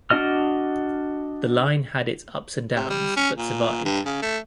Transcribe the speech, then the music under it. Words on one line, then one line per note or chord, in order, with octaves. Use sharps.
The line had its ups and downs, but survived.
D4 F#4 D#5 F6
C3
G3
C#4
A#2
G2
C#3
A3